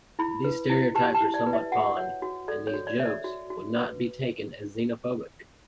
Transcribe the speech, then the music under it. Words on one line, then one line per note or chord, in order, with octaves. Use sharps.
These stereotypes are somewhat fond, and these jokes would not be taken as xenophobic.
E4 B5
B4
E4
G4 A5
A5
E4
D5
B4
E5
F#4 F#5
C#5
F#4
A4 D5
C#5
F#4
D5
C#5 E5
D5
F#4
F#4
B4